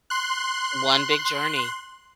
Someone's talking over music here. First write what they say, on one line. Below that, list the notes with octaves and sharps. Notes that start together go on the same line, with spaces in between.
One big journey,
C6 F#6